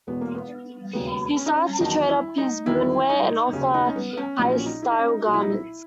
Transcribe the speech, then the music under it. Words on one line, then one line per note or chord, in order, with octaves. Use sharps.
He started to "trade up" his women's wear and offer higher style garments.
E1 E2 B2 B3
A#3
B3
E1 D#2 C#3 F#3 B3
C#4
D#4
C#4
E2 D#3 F#3 D#4
E4
D#4
E2 D#3 F#3 E4
D#4
D#2 C#3 F#3 C#4
D#4
C#4
B3
B3
C#4
A#1 A#2 F#3 D#4
C#4
D#4
E4
D#4
C#4
D#4
B1 A#2 F#3 F#4
E4
D#4
E4